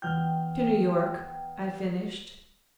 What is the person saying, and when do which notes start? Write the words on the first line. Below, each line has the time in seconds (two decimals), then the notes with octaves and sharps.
"To New York," I finished.
0.02 E2 G5 F6 G6